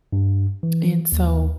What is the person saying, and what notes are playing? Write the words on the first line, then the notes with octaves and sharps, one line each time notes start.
And so,
G2
E3
D#2